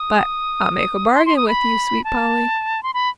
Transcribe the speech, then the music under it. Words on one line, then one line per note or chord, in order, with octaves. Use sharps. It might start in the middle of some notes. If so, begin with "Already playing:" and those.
But I'll make a bargain with you, sweet Polly.
Already playing: D#6
C6
C6
D#6
B5
A5
C6
B5